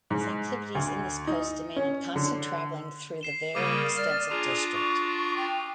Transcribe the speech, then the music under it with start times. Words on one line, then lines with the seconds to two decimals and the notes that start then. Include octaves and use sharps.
His activities in this post demanded constant travelling through the very extensive district.
0.11 G#2
0.75 D2
1.27 D#4
1.76 C#4
2.16 D3
3.21 C7 E7 G7
3.55 C#3 G3 A#3 A#4 D6 D#6 D#7
3.97 D5 F6
4.30 D4 F4 G#4 A#5
4.74 C#6
5.37 G5